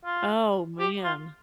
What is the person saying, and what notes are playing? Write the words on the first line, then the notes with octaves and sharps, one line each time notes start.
Oh, man.
F4
G4
F4